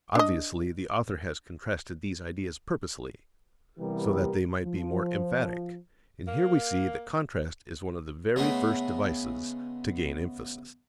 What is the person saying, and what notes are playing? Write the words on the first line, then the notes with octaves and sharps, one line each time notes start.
Obviously, the author has contrasted these ideas purposely, so that they might be more emphatic, and here we see that contrast is one of the very first devices to gain emphasis.
D4 D#5
C3 E3 G3 B3 G4 A#4
F3
A#3
C#3 G#3 A3 B3